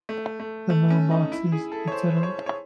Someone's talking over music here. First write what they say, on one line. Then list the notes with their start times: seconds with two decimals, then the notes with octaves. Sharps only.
The Mail Boxes Etc.
0.09 A3
0.40 A3
0.70 A3
0.90 C#4
1.11 D#4
1.32 E4
1.52 G#4
1.72 A4
1.88 C#5
1.92 C5
2.17 C5
2.23 C#5
2.46 C#5